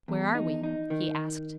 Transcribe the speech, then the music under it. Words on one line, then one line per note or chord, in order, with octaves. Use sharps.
'Where are we?' he asked.
E2
D#4
D#4
D#3